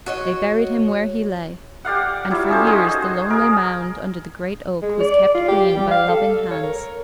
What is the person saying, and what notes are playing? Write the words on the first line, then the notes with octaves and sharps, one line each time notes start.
They buried him where he lay; and for years the lonely mound under the great oak was kept green by loving hands.
F#4 C#5 D#5
G4 D5 F5 F#5
F#3 G3 E4 F4
C#4 D#4 A4 C5
F#4 G#4 C5 D#5
G#4 A#4
G#3
D5
F4
G4
G3
F5
A4
C#5
A#4